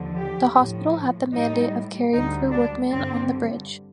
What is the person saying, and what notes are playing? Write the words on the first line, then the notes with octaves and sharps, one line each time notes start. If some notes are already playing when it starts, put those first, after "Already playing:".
The hospital had the mandate of caring for workmen on the bridge.
Already playing: D#2 D3 F3
G4
A2 F3
A2 G3 D#4
D2 D3 G3 D#4
D4
G2 D3 G3 C4